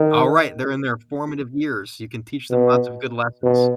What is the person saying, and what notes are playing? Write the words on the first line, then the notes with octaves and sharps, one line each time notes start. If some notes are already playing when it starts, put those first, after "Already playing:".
All right, they're in their formative years, you can teach them lots of good lessons.
Already playing: D#3
B2
B2